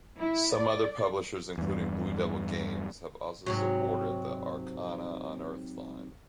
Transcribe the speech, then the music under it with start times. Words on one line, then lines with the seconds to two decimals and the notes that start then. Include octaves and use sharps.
Some other publishers, including Blue Devil Games, have also supported the "Arcana Unearthed" line.
0.19 E4
0.54 D5
1.58 E2 G2
3.46 G#2 C3 F#3